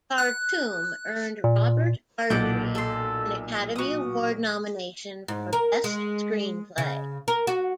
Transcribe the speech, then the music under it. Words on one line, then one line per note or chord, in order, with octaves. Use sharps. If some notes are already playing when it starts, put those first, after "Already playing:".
"Khartoum" earned Robert Ardrey an Academy Award nomination for Best Screenplay.
F#6
A#2
B1 A#2 A4 F#5 D6 G6
A4 C6
F#4 D#6
G#2
A#4
G#3
C#3
A#4
F#4